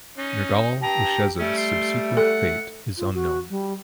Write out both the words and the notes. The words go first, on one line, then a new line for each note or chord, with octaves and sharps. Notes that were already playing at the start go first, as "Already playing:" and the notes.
Nergal-ushezib's subsequent fate is unknown.
C#4 D#4
G4 A5 A#5
G3 A3 C#4
C6
A4 F#5
F4
F#4
G3